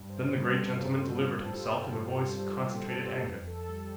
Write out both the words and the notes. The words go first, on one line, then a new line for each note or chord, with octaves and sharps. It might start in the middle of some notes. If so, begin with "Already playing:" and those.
Then the great gentleman delivered himself in a voice of concentrated anger.
Already playing: G2
C5
G3
A4
G3 F4
G3
A4
G4
G2 F4
G2
G3 G4
G3 A4
F2 B4
A4
G3